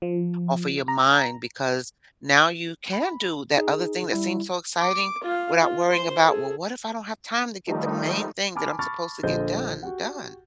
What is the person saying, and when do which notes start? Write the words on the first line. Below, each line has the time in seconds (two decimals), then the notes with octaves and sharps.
off of your mind because now you can do that other thing that seems so exciting without worrying about, well, "What if I don't have time to get the main thing that I'm supposed to get done, done?"
0.02 F3
0.88 A#5
2.93 B5
3.57 D#4 G#4
4.12 G3 E4
4.78 D6
5.24 F4 F5
5.60 F4
5.90 C5 C6
6.26 G#4 A4
7.66 D#3 F3 G3 A3 D#4
8.55 G#5 A5 B5 D6 F6
8.79 A5 B5 C#6 D6 F6 A6
9.23 A#1 D3 A4 C5 D#5 G6
9.83 F#4 G4 F#5